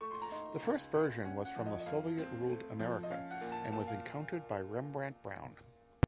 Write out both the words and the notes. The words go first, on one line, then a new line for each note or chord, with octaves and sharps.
The first version was from the Soviet-ruled America, and was encountered by Rembrandt Brown.
A3 C#6
C6
A#5
D#4 C6
C#2
C#2
C#4 F#5
F#5
F3
D#5
D#5
F2 F5
C4
A3
F3
D#5
C#4 F5
F#5
A#2
A5
A#2 A5
F5